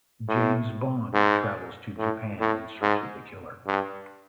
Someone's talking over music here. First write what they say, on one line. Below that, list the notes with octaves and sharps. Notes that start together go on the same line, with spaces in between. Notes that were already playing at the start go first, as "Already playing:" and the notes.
James Bond travels to Japan in search of the killer.
A2
G#2
A2
A2
G#2
G2